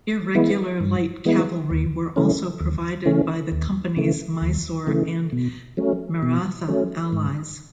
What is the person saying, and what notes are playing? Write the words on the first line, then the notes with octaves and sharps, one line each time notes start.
Irregular light cavalry were also provided by the Company's Mysore and Maratha allies.
E3 G#3 B3 E4
G2
E3 G#3 B3 E4
D#2
C#3 E3 A3 C#4
D#2
C#3 E3 A3 C#4
D#2
C#3 E3 A3
D#2
C#3 E3 A3
B2
F#3 A3 C#4
B2
F#3 A3 C#4
G#2